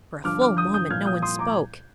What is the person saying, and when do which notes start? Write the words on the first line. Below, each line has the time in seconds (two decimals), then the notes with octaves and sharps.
For a full moment no one spoke.
0.24 G1 G2 D3 F3 D6 F6
0.41 D6 F6
0.57 D#6 G6
0.74 D#6 G6
0.89 C2 A#2 F3 F6 G#6
1.06 D#6 G6
1.22 C6 D#6
1.39 A#5 D6